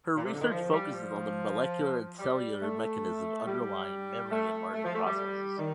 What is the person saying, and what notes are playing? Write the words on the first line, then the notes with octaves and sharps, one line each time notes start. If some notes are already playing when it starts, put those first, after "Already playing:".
Her research focusses on the molecular and cellular mechanisms underlying memory and learning processes.
A#2
C3
D3
D#3
F3
G3
F3
G3
A3
G3
A3
A3
F3
A3
G3
D#3